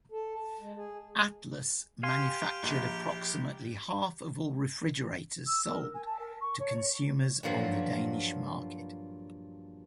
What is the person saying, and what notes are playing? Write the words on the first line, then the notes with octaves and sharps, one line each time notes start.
Atlas manufactured approximately half of all refrigerators sold to consumers on the Danish market.
A4
A5
G#3
G#4
G4 F5 G#5 C6
A#1
E6
A#4
G#5
A5
A#4
C#6
C#5
G2 A#2 F3 F#3